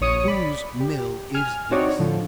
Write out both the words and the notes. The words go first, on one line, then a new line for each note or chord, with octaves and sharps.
"Whose mill is this?"
A#1 C#5 D#6 C#7
D5 B5
G4
G#5 F6
C4 D4 D#4 F#4 C#5 D5
A2 D3 F3